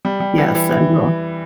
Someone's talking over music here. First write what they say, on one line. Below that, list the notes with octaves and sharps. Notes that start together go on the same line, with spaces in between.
Yes. I will.
G3
G3
E3
E3
E3